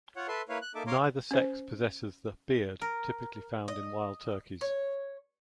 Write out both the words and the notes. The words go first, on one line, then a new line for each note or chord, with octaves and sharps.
Neither sex possesses the "beard" typically found in wild turkeys.
F4 C#5 F#5
A4 B4 E5 C6
A#3 E4 B4 C#5 F5
F#6
A#3 D#4 A4 E5 D6
C#5 F5 A#5 C6 D6
C#4 C5
A#4
D#5
C#5